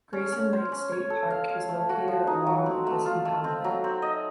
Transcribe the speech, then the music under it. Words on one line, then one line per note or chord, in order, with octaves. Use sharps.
Grayson Lake State Park is located along this impoundment.
C#4
C#4
C5
C#4
C#5
A4
F5
F5
A3
F#4
F3
D#4
F#3
C4
A3
F4
A3
C4
F#3
C4
D#5